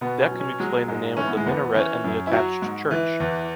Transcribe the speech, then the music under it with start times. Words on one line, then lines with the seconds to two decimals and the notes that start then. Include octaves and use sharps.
That could explain the name of the minaret and the attached church.
0.01 B2 B3
0.21 C#4
0.31 F#3
0.40 C#4
0.60 F#3 G#3
0.88 G#2 G#3
1.17 E3 C#4
1.27 B3
1.37 G#3
1.46 E2 B3
1.75 E3 C#4
2.04 F#2
2.27 E4
2.32 F#3 F#4
2.62 G#2
2.91 E3
3.20 E2